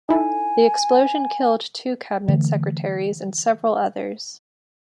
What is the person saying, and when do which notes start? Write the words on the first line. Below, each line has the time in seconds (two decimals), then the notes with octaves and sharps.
The explosion killed two cabinet secretaries and several others.
0.09 D#4 E4 A4 G#5
2.28 D3 E3 A3